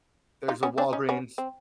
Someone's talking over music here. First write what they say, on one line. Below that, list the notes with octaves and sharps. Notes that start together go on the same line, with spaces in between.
there's a Walgreens
D#4 F4
B3 C#4
C4 D4
C#4 D#4
B3 C#4
C4